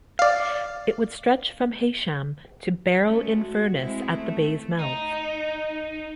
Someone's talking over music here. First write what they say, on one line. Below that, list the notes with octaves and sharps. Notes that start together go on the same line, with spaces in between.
It would stretch from Heysham to Barrow-in-Furness, at the bay's mouth.
D5 F5
G#3 A3 C#4
F#4
G#3 C4 E4
A3
D#4